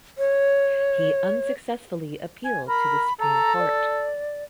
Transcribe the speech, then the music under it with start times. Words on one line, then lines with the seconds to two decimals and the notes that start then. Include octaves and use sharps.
He unsuccessfully appealed to the Supreme Court.
0.18 C#5
2.45 G#5
2.68 A#4 B5
3.20 A4 A#5
3.59 D5